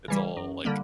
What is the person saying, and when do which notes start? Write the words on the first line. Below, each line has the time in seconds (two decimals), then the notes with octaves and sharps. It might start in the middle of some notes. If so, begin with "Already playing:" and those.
It's all, like,
0.08 C#3 E3 G3
0.37 F#2
0.65 D3 G3 A#3